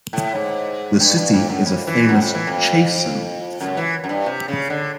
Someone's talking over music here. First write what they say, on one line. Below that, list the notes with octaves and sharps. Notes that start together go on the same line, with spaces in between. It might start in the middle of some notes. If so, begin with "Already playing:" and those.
The city is a famous "Chasen" town.
A2
G#2
G2
G2
F2
F#2
F2
E3
F#2
F2
E3
F2
F#2
E3
F#2
G2
C3
C#3
D3